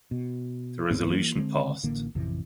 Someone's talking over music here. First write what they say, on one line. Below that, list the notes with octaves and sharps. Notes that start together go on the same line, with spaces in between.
The resolution passed.
B2
D1 G#2 B3 C4
E3 A#3
D3 G#3 C4
A1 D3 A#3
A1 F2 C3 E3